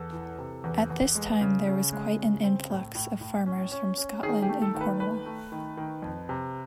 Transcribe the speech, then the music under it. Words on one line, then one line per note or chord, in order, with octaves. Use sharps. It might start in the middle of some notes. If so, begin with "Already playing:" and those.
At this time there was quite an influx of farmers from Scotland and Cornwall.
Already playing: E2 A4
E3
C3
E2
E2
G#3
C#3
C#3
G#3
C#3
C4
A2
A2
A2
C#4
C#4
C#4
D#3 G#4
G4
A3
A4
D#3
B4
A3 B4
A3
D#3
D#3
F2
C3